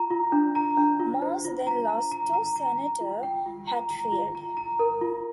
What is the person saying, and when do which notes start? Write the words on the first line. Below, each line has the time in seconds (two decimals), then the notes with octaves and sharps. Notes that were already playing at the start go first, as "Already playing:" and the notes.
Morse then lost to Senator Hatfield.
Already playing: F4 A#5
0.10 F4
0.32 D4
0.55 A#5
0.77 D4
1.00 F4
1.22 C5
1.45 F4
1.67 A#5
1.89 A#5
2.11 A#5
2.34 A#5
2.56 A#5
2.78 A#5
3.01 F4
3.23 G5
3.46 F4
3.67 A#5
3.90 A#5
4.12 F4
4.35 A#5
4.57 A#5
4.79 A#4
5.01 F4